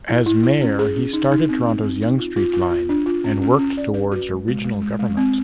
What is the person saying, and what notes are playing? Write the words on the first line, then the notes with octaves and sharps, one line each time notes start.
As mayor he started Toronto's Yonge Street line and worked towards a regional government.
E4
E4
E4
C#4
G#4
C#4
D#4
D#4
C4
D#4
C4
D#4
F4
F4
F4
F4
D4
F4
C#4
C#4
C#4
D5
B4
F#4
G#3
G#3
G#3
G#3
G#3
C4